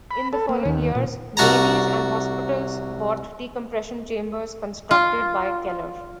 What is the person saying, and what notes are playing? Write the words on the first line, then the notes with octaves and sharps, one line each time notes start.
In the following years, navies and hospitals bought decompression chambers constructed by Keller.
B5
A4
A#3
D#2
A#2
C2 F#4 A5 A#5
F4